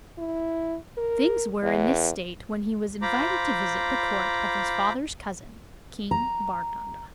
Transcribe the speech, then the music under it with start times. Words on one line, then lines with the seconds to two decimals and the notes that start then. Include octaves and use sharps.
Things were in this state when he was invited to visit the court of his father's cousin, King Bardondon.
0.18 E4
0.97 A#4
1.63 E2
3.02 F4 C5 A#5 B5 D6
6.11 A#5